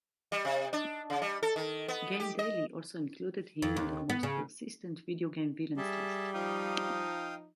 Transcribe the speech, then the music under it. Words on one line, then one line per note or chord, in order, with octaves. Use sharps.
GameDaily also included him in their most persistent video game villains list.
G3
C3
D4
C#3
G3
A4
D#3
B3
G4
D#5
F2
D#2
B3
C#3
G3 G#4 E5 A5
F3 D#4 F5 G5 D#6